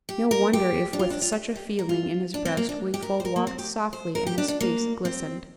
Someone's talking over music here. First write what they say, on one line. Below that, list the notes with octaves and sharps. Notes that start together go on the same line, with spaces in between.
No wonder if with such a feeling in his breast Wingfold walked softly, and his face glistened!
G4
A#4
G4
D4
F4
D4
F4
G4
G4
A#4
F4
D4
C4
A#3
D4
G4
A#4
C5
A#4
A#3
C4
G4
C5
A#4
G4
D4
D4
A#3
C4